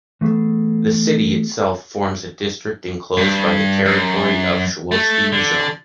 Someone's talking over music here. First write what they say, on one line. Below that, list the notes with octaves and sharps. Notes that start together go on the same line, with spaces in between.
The city itself forms a district enclosed by the territory of Sowetski Rajon.
E3 A3 B3 G#4 A4
G2
F#2
A3
D3